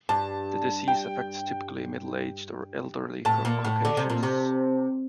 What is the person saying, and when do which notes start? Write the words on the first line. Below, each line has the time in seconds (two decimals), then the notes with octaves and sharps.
The disease affects typically middle-aged or elderly caucasians.
0.09 G2 A5
0.88 G5
3.25 A2 A5
3.45 A#2
3.64 A2
3.85 D3
3.97 C3
4.10 A#2
4.23 C3